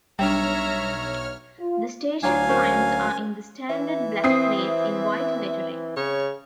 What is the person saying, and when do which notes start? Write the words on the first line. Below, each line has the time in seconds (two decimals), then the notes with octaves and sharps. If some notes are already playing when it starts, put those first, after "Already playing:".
The station signs are in the standard black plates in white lettering.
0.19 B1 G3 D4 C#5 E5 G5 A#5 F6
1.60 F4
2.23 D2 F#3 D4 C#5 F5 G#5 A#5
2.49 C#4 A#4 C5
3.69 E3 E5
4.24 C4 D#6 C7
5.96 C#3 C#5